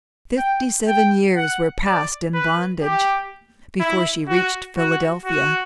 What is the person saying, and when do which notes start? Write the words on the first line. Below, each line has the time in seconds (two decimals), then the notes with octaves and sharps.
Fifty-seven years were passed in bondage before she reached Philadelphia.
0.38 G5
0.88 G5
1.36 F#5
1.85 D5
2.34 B4
2.82 G4
3.80 E4
4.28 F#4
4.78 F#4
5.26 F#4